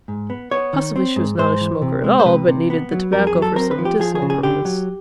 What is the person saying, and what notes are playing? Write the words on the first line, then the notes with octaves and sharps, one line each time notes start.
Possibly she was not a smoker at all, but needed the tobacco for some medicinal purpose.
G#2
B3
B3 C#5
D#3
C4
G#2
G#2 C5
E3
C3
G#3
C5
C3 B4
C3
B3
F#3
F2 A#4
G#4
F#3
A4
C4 A#4
B4
F3
G4
F3 G#4
G#4
C#3
G#4
D3 G4
F#3